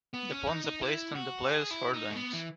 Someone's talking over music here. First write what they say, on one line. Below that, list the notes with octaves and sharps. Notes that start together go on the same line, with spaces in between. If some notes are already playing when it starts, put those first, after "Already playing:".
The pawns are placed on the players' third ranks.
B3
C#4
D#4
D#4
E4
F#4
G#4
E4
D#4
A3
B3
E3